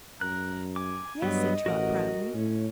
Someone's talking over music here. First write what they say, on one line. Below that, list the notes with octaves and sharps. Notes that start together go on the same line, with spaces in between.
"Yes," said Trot, proudly.
F#2 A#4 F#6
G#5 D6
G2 F#3 B3 D#5
A1 F#4 A#4 F#5
A2 C#4